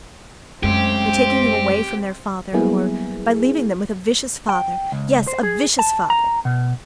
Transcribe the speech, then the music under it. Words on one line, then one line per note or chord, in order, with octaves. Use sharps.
By taking them away from their father, or by leaving them with a vicious father--yes, a vicious father....
F#2 G#3 A3 C4 C#4 G4
F#3 G3 A#3 B3 E4 G#4
G5
C#2
C5
G#4
A5
A#5
B2